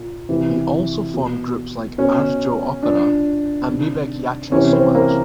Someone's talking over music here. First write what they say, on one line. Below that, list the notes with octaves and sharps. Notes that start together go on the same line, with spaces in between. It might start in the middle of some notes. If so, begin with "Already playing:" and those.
He also formed groups like "Arjo Opera" and "Bibek Yatra Samaj".
Already playing: A#2
C3 E3
B2
B2 C#4
A#2 D4
C3 D#3
C3 E3 C#4
C4
A#3